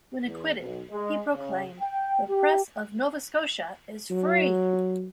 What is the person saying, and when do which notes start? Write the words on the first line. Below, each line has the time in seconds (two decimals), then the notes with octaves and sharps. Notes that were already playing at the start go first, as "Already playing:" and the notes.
When acquitted, he proclaimed: the Press of Nova Scotia is free.
0.25 E2
0.60 B1
0.90 G#3
1.35 C#3
1.80 G5
2.28 G4
4.11 F#3